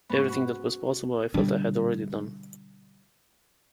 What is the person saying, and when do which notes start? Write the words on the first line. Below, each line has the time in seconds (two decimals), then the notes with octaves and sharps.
Everything that was possible I felt I had already done.
0.09 G#2 B3 C#4
0.24 F#4
1.34 B2 D3 G3 D4